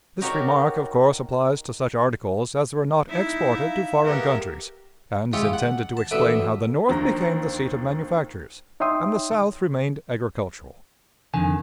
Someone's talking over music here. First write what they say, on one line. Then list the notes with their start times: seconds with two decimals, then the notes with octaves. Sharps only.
This remark, of course, applies to such articles as were not exported to foreign countries, and is intended to explain how the North became the seat of manufactures, and the South remained agricultural.
0.21 D#4 F#4 G4 A#4 C#5 D5
3.09 D#4 E4 E5
3.48 F5
4.04 G4 G#4 A#4 B4 F#5
5.33 G#3 E4 F4 G4 C#5
5.53 F#5
5.97 A5
6.11 A1 D2 D3 B4 E5 D6
6.89 D#2 D3 F3 C5 A#5 A#6
8.80 D#4 C#5 E5 G5 C6 D#6
11.34 F2 D3 D#3 G#5